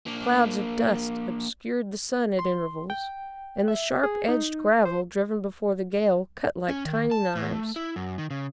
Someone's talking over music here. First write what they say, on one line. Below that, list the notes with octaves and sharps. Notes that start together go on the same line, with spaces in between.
Clouds of dust obscured the sun at intervals, and the sharp-edged gravel driven before the gale cut like tiny knives.
A#3 D4
C6
G5
E5
G#4
D#4
C5
C#4
D#3
A5
A2
A3
E4
F#2
D#3
C#3